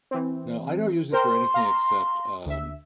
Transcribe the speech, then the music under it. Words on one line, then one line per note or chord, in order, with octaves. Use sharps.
No, I don't use it for anything except, um,
E3 C4
A#4 C5 G5 C6
F5 A#5
D2 E5